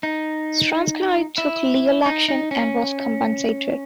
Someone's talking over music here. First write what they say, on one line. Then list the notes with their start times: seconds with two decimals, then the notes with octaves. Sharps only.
Stransky took legal action and was compensated.
0.03 D#4
1.38 E4
2.06 D#4
2.28 D#4
2.51 C#4